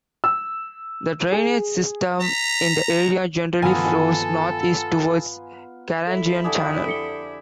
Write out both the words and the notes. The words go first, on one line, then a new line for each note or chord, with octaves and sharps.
The drainage system in the area generally flows north-east towards Carangian Channel.
E6
G#4
A#5 B6
G2 D#3 F3 B3 F4 A4 G#5 A#5
F2 E4 A4 E5
D3 G4 G#4
A4 C#7 G7